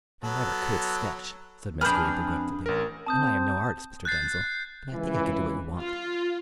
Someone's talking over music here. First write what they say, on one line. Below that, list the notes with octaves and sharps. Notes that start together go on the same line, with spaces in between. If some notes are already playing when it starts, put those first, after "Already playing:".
"I never could sketch," said Miss Greeb regretfully, "and I am no artist, Mr. Denzil, but I think I can do what you want."
F#3 B3 A4
F2 D4 G#4 B4 F6 G6
A1 A#4
C4 A5 D#6 G6
F#6 G6 A6 C7
C#2 E3
F4